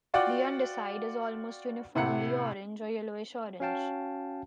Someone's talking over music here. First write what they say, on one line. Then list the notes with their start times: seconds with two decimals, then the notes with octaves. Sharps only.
The underside is almost uniformly orange or yellowish-orange.
0.14 F4 F#4 D5 F#5 G5 D6
1.95 A2 C3 F#5 C#7
3.60 C#4 F#4 F5 G5 A5